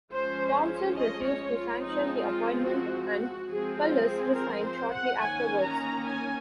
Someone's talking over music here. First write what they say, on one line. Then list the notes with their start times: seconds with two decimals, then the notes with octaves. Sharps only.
Thompson refused to sanction the appointment and Cullis resigned shortly afterwards.
0.11 F3 G#3 C#4 C5
0.96 D#5
1.25 C#5
1.53 F4
1.81 F3 G#3 C4 D#4
2.24 F4
2.65 F#4
3.09 F#4
3.50 F3 G#3 C4 G#4
3.79 F4
4.07 G#4
4.35 A#4
4.63 C5
4.91 F#5
5.20 D#3 A#3 C#4 G#5
5.63 A#5
6.05 G#5